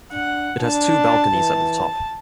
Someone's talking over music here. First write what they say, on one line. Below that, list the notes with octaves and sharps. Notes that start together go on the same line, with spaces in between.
It has two balconies at the top.
D4 F#5
D4 A5
E3